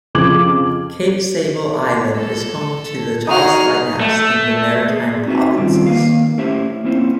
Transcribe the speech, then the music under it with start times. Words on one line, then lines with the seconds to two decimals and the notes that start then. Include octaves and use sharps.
Cape Sable Island is home to the tallest lighthouse in the Maritime Provinces.
0.15 F2 C#3 F3 D6 G#6 F#7
2.17 A4
3.27 D#4 F#4 G#4 F6
4.00 A3
4.90 G#4
5.26 C4 D#4 F#4 B4 E5
5.56 D#3 F3 G3 C4 C#4 F4
5.86 D#3 A#3 B4 F5
6.38 A3 C#4 E4 G4 C5 E5
6.84 A#3 C4 C#4 E4 C5